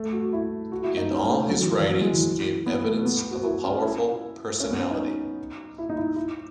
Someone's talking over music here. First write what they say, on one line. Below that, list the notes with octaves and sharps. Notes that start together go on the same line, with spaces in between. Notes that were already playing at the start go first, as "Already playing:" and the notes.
In all his writings gave evidence of a powerful personality.
Already playing: A3
F#4
E4
F#4
E4
D#4
C#4
A3
F#3
E3
E3
F#3
G#3
E3
B3
A3
B3
F#4
E4
C#4
E4
C#4
B3
C#4
D#4
E4
D#4
E4
E4